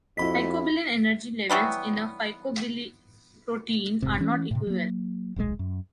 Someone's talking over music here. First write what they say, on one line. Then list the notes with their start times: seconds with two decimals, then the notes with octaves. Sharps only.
Phycobilin energy levels in a phycobiliprotein are not equivalent.
0.17 F2 E4 F#4 D#5 B5 B6
1.50 E3 F#3 G3 B3
4.02 F1 G#2 C3
4.20 E3 C#4
4.51 A2 C3
4.67 F#3 A#3
5.36 D#1 B1 A#2 G#3
5.59 F#2